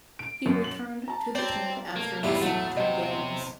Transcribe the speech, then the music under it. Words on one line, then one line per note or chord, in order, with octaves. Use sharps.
He returned to the team after missing two games.
D7
F#2
F#7
A5 A#5
C4 F#4 C#5 D5
C3 A3 A#3
B1 E2 A2 D3 G3 E4 F4
F#3 A3
C3 C5 D#5 G5